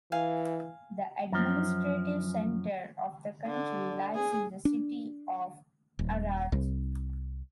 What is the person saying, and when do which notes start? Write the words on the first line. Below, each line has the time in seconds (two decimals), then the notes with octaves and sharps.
The administrative center of the county lies in the city of Arad.
0.12 E3 F5 G#5
1.32 F#2 F3
3.46 D3
4.15 G#4
4.65 D4
5.99 D#1
6.52 C2